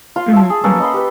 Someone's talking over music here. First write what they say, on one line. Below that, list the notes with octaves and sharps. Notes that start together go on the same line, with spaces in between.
Mhm, mhm.
F4 F5 C6
E5 A5
G#4
A#3 C#4 A4 B4
D#5 B5 C6
G4 B4